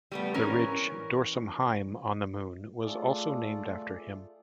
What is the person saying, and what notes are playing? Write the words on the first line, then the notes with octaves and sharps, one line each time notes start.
The ridge Dorsum Heim on the Moon was also named after him.
G3 A3 B3
E3 C#4 A#4
A3 F4 G#4 A4 D5